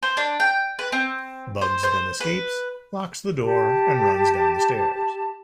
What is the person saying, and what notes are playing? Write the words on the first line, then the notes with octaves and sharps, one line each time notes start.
Bugs then escapes, locks the door, and runs down the stairs.
C5
D4
G5
B4
C4
C5
C5
B4
G4 A5